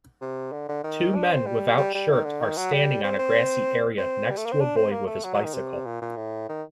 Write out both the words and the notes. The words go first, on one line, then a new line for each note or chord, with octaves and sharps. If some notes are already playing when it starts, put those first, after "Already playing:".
Two men without shirt are standing on a grassy area next to a boy with his bicycle.
C3
D3
D3
D#3
D4
C4
G3
G3
G3
D#3
D3
D#3
F#3
G3
C4
C4
C4
G3
A3
A#3
C4
D4
C4
A#3
A3
F#3
F#3
D#3
C3
A#2
A#2
A2
D#3